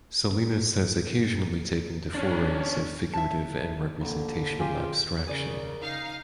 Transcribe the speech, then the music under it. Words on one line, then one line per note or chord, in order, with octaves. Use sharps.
Salinas has occasionally taken to forays of figurative and representational abstraction.
C#4 D4
E5 A5
A#1 D3
C#3 F4 G4 G#4
C#3 G#4 A#4 D5
D#4 F5